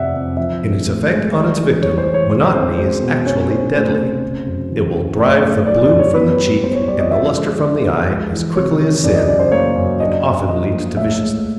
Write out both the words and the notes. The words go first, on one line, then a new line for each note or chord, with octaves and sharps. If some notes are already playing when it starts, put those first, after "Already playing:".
In its effect on its victim, monotony is actually deadly--it will drive the bloom from the cheek and the lustre from the eye as quickly as sin, and often leads to viciousness.
Already playing: F2 C3 D5 E5 F#5
F2
F3 E5
G#3
A2
G#3
G3 D5
E3
G3 C#5
C5
E3
C#5
G#3 C5
C4 C5
G#3 C5
B2
C#4 C#5
C#4 C5
A3 C5
C3
C#3
F#2
E3
F#2
A3 D5
A3
F#3 D5
D5
F#2
C#5
B3 B4
G3
B3 C5
C#5
G3 D5
D#5
F3 E5
G#3
G#3 D5
F3
G#3
E3
C3 C#5
E3
F#2 D5
D#5
C#3 D5
C5
A#3 C#5
F#2
D4 D#5
D4
F3 D#5
A#3
A2 E5
G#3